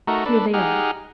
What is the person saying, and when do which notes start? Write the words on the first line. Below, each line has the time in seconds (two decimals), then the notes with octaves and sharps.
"Here they are."
0.07 A3 D#4 F#4 A#4
0.26 D4 A4 B4
0.54 D#4 G4 G#4 F#5 F6